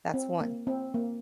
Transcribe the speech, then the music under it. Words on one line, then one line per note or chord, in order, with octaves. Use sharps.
that's one.
C4
A#3
C4
A#3